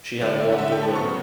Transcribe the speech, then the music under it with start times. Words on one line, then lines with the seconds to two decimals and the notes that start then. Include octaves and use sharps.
She had one daughter.
0.22 D3 A3 D5
0.36 D5
0.40 E5
0.53 F#5
0.58 D3 A3 E5
0.72 G5
0.83 A5
0.95 C#3 F#3 B3 C#6